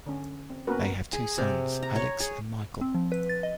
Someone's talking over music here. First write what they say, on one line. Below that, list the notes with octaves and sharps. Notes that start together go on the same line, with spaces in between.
They have two sons, Alex and Michael.
D3 C#4
C4
A#3 B3 C#4 F#4 A#4 B4
G#4
C3
A#5
C#5
G#4
C4
F3
B4
A6
D#5